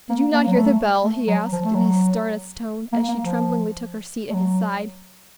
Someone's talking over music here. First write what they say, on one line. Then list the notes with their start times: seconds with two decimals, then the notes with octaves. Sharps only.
"Did you not hear the bell?" he asked, in his sternest tone, as she tremblingly took her seat at his side.
0.09 A#3
0.33 A#3
0.47 F#3
0.57 A3
1.03 A3
1.27 F#3
1.52 F3
1.64 A3
1.75 F#3
2.92 A#3
3.08 A#3
3.24 F3
4.30 A3
4.34 F#3